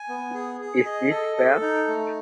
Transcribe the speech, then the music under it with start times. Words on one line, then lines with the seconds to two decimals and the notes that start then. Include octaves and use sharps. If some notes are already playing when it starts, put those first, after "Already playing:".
Is this fair?
Already playing: G#5
0.09 B3
0.34 G#4
0.61 G#4
0.85 D#5
1.10 A4
1.36 A4
1.61 D#4
1.88 A3